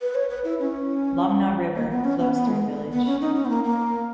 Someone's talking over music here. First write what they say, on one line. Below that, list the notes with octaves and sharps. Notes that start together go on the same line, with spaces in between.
Lomná River flows through the village.
B4
C#5
B4
E4
C#4
A#3
B3
C#4
B3
B3
G#3
B3
C#4
D#4
C#4
B3
A#3
A#3